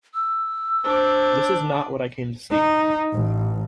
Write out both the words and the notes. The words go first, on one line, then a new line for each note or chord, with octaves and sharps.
This is not what I came to see.
E6
D4 C5 D5
D#4
A1